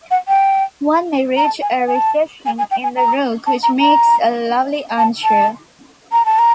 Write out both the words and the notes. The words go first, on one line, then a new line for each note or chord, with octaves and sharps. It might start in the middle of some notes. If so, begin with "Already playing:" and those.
One may reach a recession in the rock which makes a lovely armchair.
F#5
G5
A#5
A5
G#5
F#5
G#5
A5
G#5
G#5
G5
G#5
A#5
A5
A#5
A#5
A5
A5
A#5
A5
A#5